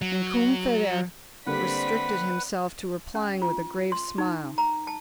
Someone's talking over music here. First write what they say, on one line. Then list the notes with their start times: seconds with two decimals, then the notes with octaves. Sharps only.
And Combeferre restricted himself to replying with a grave smile.
0.02 F#3
1.47 D3 G3 A#3 C4 B4 D5 F#5 B6
3.15 C#4
3.42 F4
3.92 C6
4.18 D#4
4.58 A#5
4.87 A5